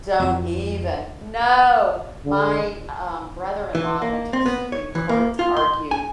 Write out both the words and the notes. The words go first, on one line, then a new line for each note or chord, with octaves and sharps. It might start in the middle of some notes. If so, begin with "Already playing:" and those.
don't even. No! My um, brother-in-law went to the Supreme Court to argue
F2 F4
D3
E3
A#3
C4
B3
C#5
E3
A#3
F4
C6
G#5